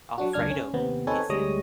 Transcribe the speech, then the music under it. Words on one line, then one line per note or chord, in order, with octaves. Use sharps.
Alfredo tasted.
F#3 D4 F#4
C#2 F#2 D4 F6 G#6
C#4
D#2 C3 B3 C4
C4 D#4 A4 B4 C#5 G#5
D2 G3 G#3 C#5 D#6 A#6